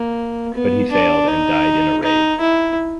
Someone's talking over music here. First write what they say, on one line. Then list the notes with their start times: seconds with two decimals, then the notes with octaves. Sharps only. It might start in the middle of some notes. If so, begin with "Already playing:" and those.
But he failed and died in a raid.
Already playing: A#3
0.54 B3
0.91 D4
1.28 D#4
2.03 D#4
2.41 E4